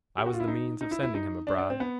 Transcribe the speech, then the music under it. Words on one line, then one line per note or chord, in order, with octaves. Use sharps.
I was the means of sending him abroad.
G4
F#4
F4
E4
D#4
D#4
E4
E4
D#4
D4
D4
C4
B3